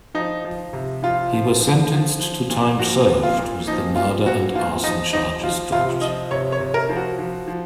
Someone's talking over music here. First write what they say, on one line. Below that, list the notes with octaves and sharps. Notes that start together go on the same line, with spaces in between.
He was sentenced to time served, with the murder and arson charges dropped.
F3 D#4
F3
C3
F3 F4
F3
F3
F3
F3
A#2
F3 F#4
A#2
F4
A#2
F3 D#4
A#2 F4
A#2 F#4
F3 F4
F3 D#4
F3 D#4
F3 F4
C3 F4
F3 D#5
C3 C#5
C#5
C3
A#4
F3
F#4
F3
F3